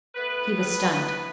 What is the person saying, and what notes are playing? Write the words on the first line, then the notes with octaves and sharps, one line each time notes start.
He was stunned.
A3 B3 B4
A2
A2
A2
A3